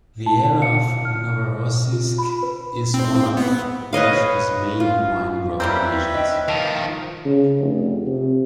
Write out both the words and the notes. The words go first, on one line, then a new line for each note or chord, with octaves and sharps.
The area of Novorossiysk is one of Russia's main wine-growing regions.
A5
C#7
F6
F4
B5
B4
C4
B3
B4 C#5 D#5 F5
F4
G3 A#3 C4 C#4 B4 E5
D#5 G5
D#3 F3 A5 F7
C#3
F1
C3